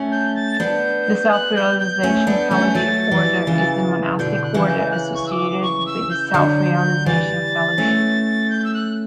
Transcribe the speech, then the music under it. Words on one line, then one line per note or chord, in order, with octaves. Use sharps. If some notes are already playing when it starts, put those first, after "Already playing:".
The Self-Realization Fellowship Order is the monastic order associated with Self-Realization Fellowship.
Already playing: A3 C#4
G6
A6
B3 D4 G6
F#6
G6
G6
A3 C#4
B3 D4
A3 C#4
F#3 A3 A6
E3 G3
C#3 E3
B2 D3 G6
F#6
C#3 E3
G6
F#6
C#6
E6
D6
C#6
E6
G6
D3 F#3
E3 G3 A6
A3 C#4
G6
E6
F#6